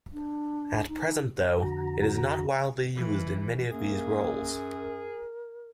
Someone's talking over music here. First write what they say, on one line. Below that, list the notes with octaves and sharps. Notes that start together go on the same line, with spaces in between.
At present though, it is not widely used in any of these roles.
D4
D#4
F2 D3 F#4 A#5
E3
F#2 A#3 G#4
A#4